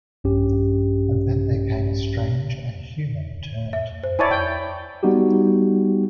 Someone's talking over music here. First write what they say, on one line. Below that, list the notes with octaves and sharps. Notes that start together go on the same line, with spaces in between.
And then there came a strange and human turn to the affair.
A#1 G2 C#4 G4
E5
C5
E4 C#5 D5 G#5 A5 A6
G5
G3 B3 D#4 F#4 G4